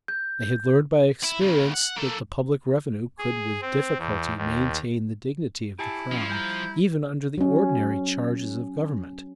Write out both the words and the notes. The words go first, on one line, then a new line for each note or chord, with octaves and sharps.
They had learned by experience, that the public revenue could with difficulty maintain the dignity of the crown, even under the ordinary charges of government.
G6
E4
D#2 C#3
F#5
A#3 A4
G#4
C4
E2
D#2
E4 G4 G#5 A5
F3 C#4 F4
G3 G#5 A#5 G6
F#3 C#4